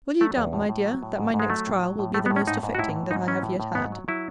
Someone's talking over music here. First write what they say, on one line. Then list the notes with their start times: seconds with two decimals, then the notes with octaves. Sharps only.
Will you doubt, my dear, that my next trial will be the most affecting that I have yet had?
0.21 F#3 A3
0.37 E2
0.53 A2
0.69 A2
0.86 F#3
1.03 A2
1.19 G#2
1.34 G#2
1.39 G#3
1.50 F#3 A3
1.67 A2
1.82 F#3
1.99 A2
2.14 A2 A3
2.26 B3
2.30 A2
2.36 C#4
2.47 G#2 D#4
2.63 G#2
2.75 F#4
2.79 A2 E4
2.96 E3
3.11 G#2 D#4
3.27 E3 C#4
3.43 A2
3.60 A2
3.75 G#2 B3
3.92 F#3
4.08 F#3 E4